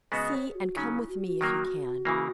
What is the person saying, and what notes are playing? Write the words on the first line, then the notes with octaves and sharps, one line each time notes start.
See and come with me if you can.
C#3 G#3 B3 F#4 D#5
C#5
G#4
F#4
C#3 F#3 C#4 D#4
E4
F#4
F#4
D#3 F#3 A#3
C#3 E3 A#3